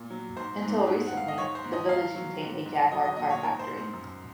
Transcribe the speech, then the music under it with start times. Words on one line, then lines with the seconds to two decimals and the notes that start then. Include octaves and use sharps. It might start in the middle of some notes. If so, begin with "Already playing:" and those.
Until recently the village contained a Jaguar car factory.
Already playing: A#2
0.10 F#3
0.37 G#2 C5
0.62 G#2
0.87 G#2
1.07 F#5
1.13 G#2 F5
1.28 D#5
1.38 G#2 C#5
1.55 C5
1.64 G#2
1.73 D#5
1.89 F#3 F5
2.15 F#3
2.41 G#2
2.66 G#2
2.91 F#3 D#5
3.05 D#5
3.17 A#2 D#5
3.30 C#5
3.43 G#2 A#4
3.59 C5
3.68 G#2
3.77 C5
3.93 F#2